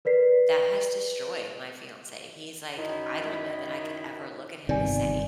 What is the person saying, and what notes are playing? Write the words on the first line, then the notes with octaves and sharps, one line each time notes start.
that has destroyed my fiance, he's, like, "I don't know that I could ever look at him the same."
A#4 B4 D5 B6 C7
F#2 D#3 E4
G1 C3 D#3 D5 G#5